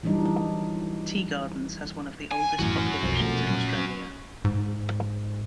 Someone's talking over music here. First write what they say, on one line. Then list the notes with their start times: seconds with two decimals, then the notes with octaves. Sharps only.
Tea Gardens has one of the oldest populations in Australia.
0.03 E3 F#3 G3 D4 D#4
2.31 G#5
2.59 F#2 A2 E3 C#4 F#4
3.03 B1 F2
3.20 B2 F3 A3
3.46 A#2 F#3
4.45 G#2